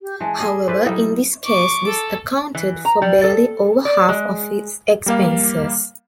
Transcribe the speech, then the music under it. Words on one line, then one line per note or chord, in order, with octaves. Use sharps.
However, in this case, this accounted for barely over half of its expenses.
G4
E3 G#3 A5
G3 G#4 D#5
E4 A4 B4 C5 D5
F#3 G3 D#4 E4 G5
C#6 D6
A4
E3
A#5
G3
A4
D5
G#3
G3 A#3 F5